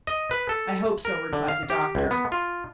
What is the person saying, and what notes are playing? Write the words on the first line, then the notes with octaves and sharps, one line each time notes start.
"I hope so," replied the doctor.
D#5
B4
A4
A#4
D3
F5
G4
C#2
B3
F4